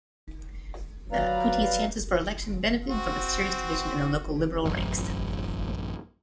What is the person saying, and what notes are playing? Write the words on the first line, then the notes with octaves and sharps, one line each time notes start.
Puttee's chances for election benefitted from a serious division in the local Liberal ranks.
F#3 B4 D5 F5 A#5
C4 F#4
A1 F#2